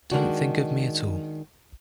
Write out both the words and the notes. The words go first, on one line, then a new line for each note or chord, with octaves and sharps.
Don't think of me at all.
D#3 G#3 D4 F#4